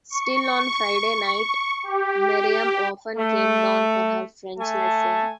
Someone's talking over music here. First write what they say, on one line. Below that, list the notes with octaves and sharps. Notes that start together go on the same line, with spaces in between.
Still on Friday night Miriam often came down for her French lesson.
C#6
G4
A3
A3 G#5 A5